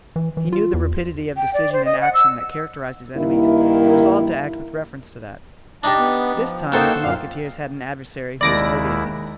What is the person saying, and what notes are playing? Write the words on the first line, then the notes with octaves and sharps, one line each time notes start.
He knew the rapidity of decision and action that characterized his enemies and resolved to act with reference to that. This time the musketeers had an adversary who was worthy of them.
E3
E3
F4
E2
G5
D5
C5
D#5
F#5
E6
G2 D#3 A#3 E4
D4 D#4 G4 D#5 A5
B3
F3
A#3 D#4 F#4 A4 C5 G5
F#2 A#2 F5
D#2 D#3 G#3 E4 D5 A#6 D7